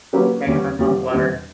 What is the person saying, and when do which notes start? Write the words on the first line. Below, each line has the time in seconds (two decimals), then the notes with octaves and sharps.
Making my mouth water.
0.13 F#3 A#3 C#4 G4 B4
0.46 E2 D3 G3 C#4 G4
0.79 E2 D3 G3 C#4 G4
1.11 E2 D3 G3 C#4 G4